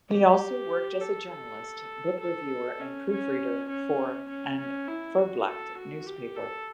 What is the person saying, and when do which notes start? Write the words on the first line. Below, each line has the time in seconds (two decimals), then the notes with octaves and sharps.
He also worked as a journalist, book reviewer and proofreader for "An Phoblacht" newspaper.
0.11 G4
1.01 A4
1.30 A4
2.20 A4
2.80 C#4
3.09 C#4
3.69 C#4
4.28 C#4
4.58 C#4
4.87 E4
5.18 F#4
5.48 A4
5.77 F#4
6.07 G4
6.37 A4